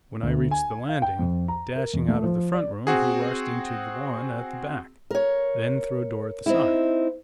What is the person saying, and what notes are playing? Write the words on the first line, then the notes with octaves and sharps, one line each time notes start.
When I reached the landing, dashing out of the front room he rushed into the one at the back,--then through a door at the side.
D2
G#5
F5
G5
F2
A#5
A#4
E2
A3
F3
D5
C4 F#4 G#4
A#4 C#5
C4 D#4 E4